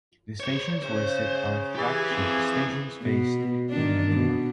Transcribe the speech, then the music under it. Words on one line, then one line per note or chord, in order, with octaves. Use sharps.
The stations listed are flagship stations based in Manila.
C5 C#5
C#3 C5
E3 G4 G#4
C4 F5
B2
D#3 D4
B2